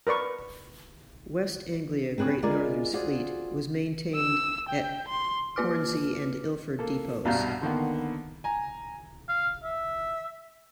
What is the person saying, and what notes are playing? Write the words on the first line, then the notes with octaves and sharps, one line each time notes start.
West Anglia Great Northern's fleet was maintained at Hornsey and Ilford depots.
A#4 B4 D5 C#6
C4 G#4 B4 C#5
G#3 F4 G#4 A#4 D5
F4 F#4 G#4 C5 D5
E6
G5
C6
A#3 F4 B4 D6 F6
A#3 A4
C2 G2 B2 F5 A#5 G6
D3 D#3 A#3 B3
G#5 A#5
F5
E5